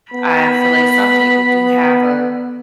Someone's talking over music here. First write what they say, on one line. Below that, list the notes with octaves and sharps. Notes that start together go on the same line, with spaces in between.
I feel like some people do have a
B3 B5